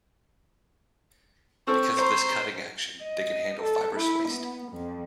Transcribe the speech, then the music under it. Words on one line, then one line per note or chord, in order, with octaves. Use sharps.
Because of this cutting action, they can handle fibrous waste.
C4 A4 C5 C#6
C5 A#5
D#5
A4
E4
B3
F2